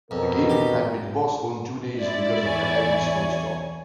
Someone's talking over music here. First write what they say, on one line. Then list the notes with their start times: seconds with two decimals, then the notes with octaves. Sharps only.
The game had been postponed two days because of a heavy snowstorm.
0.11 F2 B2 A#4
0.50 G4
1.97 G#3 E4 D5
2.45 E2 C#5 G#5